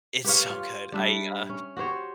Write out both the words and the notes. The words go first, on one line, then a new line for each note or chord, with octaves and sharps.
it's so good. I, uh
G4 B4 C#5 F5
F4
G3 D4 E5
C#4
F#4 G4 C5 C#5